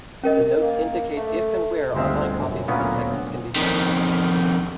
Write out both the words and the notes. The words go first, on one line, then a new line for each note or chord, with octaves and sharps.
The notes indicate if and where online copies of the texts can be found.
C#4 A#4 D#5
A#3
A3
G1 D2 G#3 C4 E5 F5
F#2
D2 A#2 F#3 A#3 B3 C#4
F2 D#3